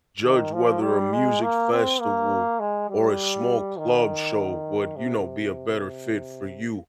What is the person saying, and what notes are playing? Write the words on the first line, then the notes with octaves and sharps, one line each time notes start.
judge whether a music festival or a small club show would, you know, be a better fit for you,
D#3
F3
G3
G#3
A#3
C4
A#3
G#3
G3
D#3
C3